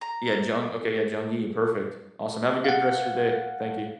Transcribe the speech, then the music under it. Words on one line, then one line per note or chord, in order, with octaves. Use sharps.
Yeah, Jung, okay yeah, Jung Yi, perfect, awesome. Have a good rest of your day, thank you.
A#5
F5 F#5